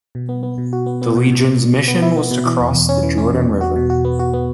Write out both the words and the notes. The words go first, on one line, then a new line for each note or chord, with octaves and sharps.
The Legion's mission was to cross the Jordan River.
B2
B3
B3
B2
F#4
B3
B3
B2
B2
B2
B2
B2
B3
E4
B3
B2
E3
E2
E2
C#4
E3
C#4
E2
E2
F#4
B2
F#4
B3
F#4
B3